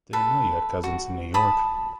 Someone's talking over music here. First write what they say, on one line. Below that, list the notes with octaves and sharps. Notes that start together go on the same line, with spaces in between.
Didn't know you had cousins in New York.
A4 B4
F#4
A5 B5 D#6